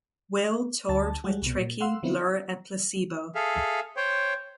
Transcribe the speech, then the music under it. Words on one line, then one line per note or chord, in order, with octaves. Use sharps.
Whale toured with Tricky, Blur and Placebo.
D2 A5
G3 G#3 F#4
C2 B2
A#2
F5 F#5 C6 E6
D3 F3 B3 C4 E4
G#4 A4 E5 F5
C5 C#5 G5